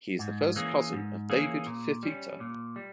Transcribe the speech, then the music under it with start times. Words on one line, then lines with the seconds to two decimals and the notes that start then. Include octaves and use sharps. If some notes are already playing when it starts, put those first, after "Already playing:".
He is the first cousin of David Fifita.
0.19 G#2
0.56 E3 A#3 C#4 G#4
0.93 G#2
1.30 E3 A#3 C#4 G#4
1.66 A#2
2.03 G3 C#4
2.40 A#2
2.76 G3